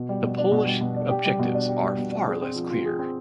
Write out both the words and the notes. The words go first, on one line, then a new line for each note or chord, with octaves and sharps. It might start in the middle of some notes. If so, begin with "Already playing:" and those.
The Polish objectives are far less clear.
Already playing: B2
G3
B2
D4
B2
G3
B2
D4
G4
G3
B2
D4
G4
G3
B2
D4
G#4
C4
F3
F4
G#4
C4